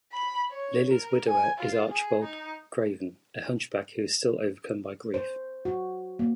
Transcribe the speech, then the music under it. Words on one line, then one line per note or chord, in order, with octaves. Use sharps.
Lily's widower is Archibald Craven, a hunchback who is still overcome by grief.
B5
C#5
A#4
G#5
F4
G#4
D#4
C5
F#4
A#3